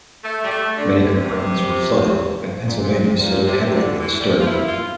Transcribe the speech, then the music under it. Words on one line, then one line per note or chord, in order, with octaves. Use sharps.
Many compartments were flooded and "Pennsylvania" settled heavily by the stern.
A3
G3
A3
D3
C3
A#2
A#2
C3
A#2
C3
D3
E3
A3
G3
F3
F4
E4
F4